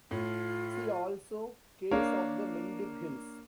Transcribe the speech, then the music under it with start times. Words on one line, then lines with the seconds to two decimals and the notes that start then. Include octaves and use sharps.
See also Caves of the Mendip Hills.
0.11 A2 F4
1.91 A#3 D4 A#4 C#5 F5